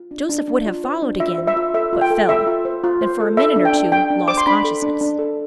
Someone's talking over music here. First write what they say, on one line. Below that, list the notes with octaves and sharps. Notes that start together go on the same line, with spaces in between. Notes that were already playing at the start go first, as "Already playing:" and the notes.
Joseph would have followed again, but fell, and for a minute or two lost consciousness.
Already playing: F4
D4
D4
D4
F4
C5
D4
F4 E5
C5
E5
F4
A4 E5
F4
G5
A4
A4 E5
F4
C5
F4
C5
A4
A4 E5
D4
G5
D4
D4 G5
D4
C5 D6
C6
D4 B5
A4
D4
D4
A4